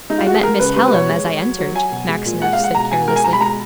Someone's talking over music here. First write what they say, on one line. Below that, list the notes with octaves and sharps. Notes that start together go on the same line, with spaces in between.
'I met Miss Hallam as I entered,' Maxineff said carelessly.
G#3 D#4
F4
G#3 F#4
G#4
G#3 A#4
C#3 B4
G#3 B4
B4
B2 C#5
G#3
G#3
F#3
F#3
F#3 G#5
B2
G#3
A#2
G#3 F#5
F5
G#3
F#5
B2 A#5
B2 G#5
G#3 A#4
G#5
B2 A#5
B5
G#3 A#5